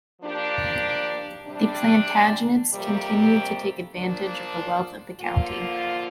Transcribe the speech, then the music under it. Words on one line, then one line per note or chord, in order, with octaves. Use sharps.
The Plantagenets continued to take advantage of the wealth of the county.
F3 A#3 D4 G4
C3 G3 D4
F2 C3 G3 A#3 G4
A#2 F3 D4
D3 F3 A#3 F4